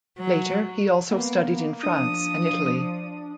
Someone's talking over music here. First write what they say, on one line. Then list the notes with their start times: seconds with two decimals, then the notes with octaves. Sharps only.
Later he also studied in France and Italy.
0.18 F#3
1.11 A#3 B3
1.83 F3 D4 D#6